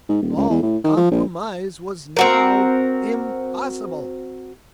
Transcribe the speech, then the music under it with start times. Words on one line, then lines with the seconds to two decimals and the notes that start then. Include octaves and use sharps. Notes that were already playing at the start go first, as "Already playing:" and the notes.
All compromise was now impossible!
0.09 G#2
0.22 D#1
0.37 C#2
0.50 E2
0.62 A2
0.84 D#3
0.97 F3
1.11 A#1
2.16 C4 F#4 A#4